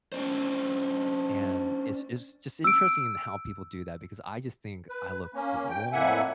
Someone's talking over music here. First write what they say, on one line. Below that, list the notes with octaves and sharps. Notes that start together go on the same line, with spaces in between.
and, it's it's just interesting in how people do that, because I just think I look normal,
C#4 D4 C5
E6 D7
B4
A#3 C#4
G5
F2 A2 A#3 E5 F#5 G#5